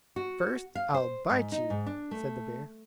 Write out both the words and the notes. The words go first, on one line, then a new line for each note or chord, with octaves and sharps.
"First, I'll bite you," said the bear.
F#4
F5
C5
G#2
D#4
G#2
D4
A3